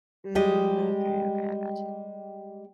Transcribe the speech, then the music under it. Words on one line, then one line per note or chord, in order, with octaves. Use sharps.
Mm, okay, okay, I got you.
G3 G#3 G4 D#5